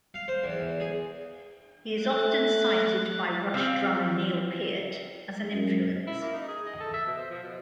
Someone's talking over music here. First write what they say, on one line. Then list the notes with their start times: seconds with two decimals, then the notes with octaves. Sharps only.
He is often cited by Rush drummer Neil Peart as an influence.
0.14 F5
0.28 C5
0.44 E2
0.80 G#4
2.02 A3 F#6 A6
3.54 C4 F5
5.53 F#2
6.07 E4
6.22 A#3
6.33 D#4
6.48 G#4
6.66 D#5
6.80 A4
6.94 E5
7.07 B2
7.18 C5
7.30 F3
7.44 B2